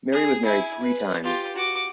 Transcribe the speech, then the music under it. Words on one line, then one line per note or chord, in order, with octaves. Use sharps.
Mary was married three times.
G#4
E4 G#5
B4
F4 G4
F#4 D6